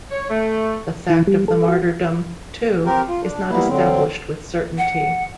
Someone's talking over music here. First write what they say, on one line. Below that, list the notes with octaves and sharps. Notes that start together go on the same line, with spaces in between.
The fact of the martyrdom, too, is not established with certainty.
C#5
A3
E3
G3
A4
F#4
C4 G4 A#4
F4
D4
G3 A#3 B3 E4
D3 F#3 C4
F#5